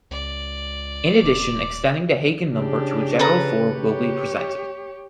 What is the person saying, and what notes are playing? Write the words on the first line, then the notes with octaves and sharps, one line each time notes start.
In addition, extending the Hagen number to a general form will be presented.
C#2 D5
D#1 D6
C#3 D4 G4
A4 B4 A#5
G4 C#5